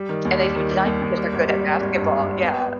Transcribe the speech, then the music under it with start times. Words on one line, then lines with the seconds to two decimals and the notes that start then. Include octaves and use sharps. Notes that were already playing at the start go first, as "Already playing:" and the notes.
and they decided because they're good at basketball, yeah.
Already playing: G3
0.09 D#3
0.25 D#2
0.40 G3
0.55 D#3
0.71 G3
0.86 D#2
1.02 D#2
1.17 G3
1.33 G#1
1.49 G3
1.64 G3
1.80 G#1
1.95 G2
2.11 G2
2.26 G#1
2.42 B3
2.57 B3